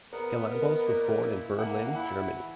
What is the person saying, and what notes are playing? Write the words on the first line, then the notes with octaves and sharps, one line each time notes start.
Galambos was born in Berlin, Germany.
B3 A#4
B4
A#4
D#5
A#2
E4
A#3 F#5
F#5
E4 F#5
E3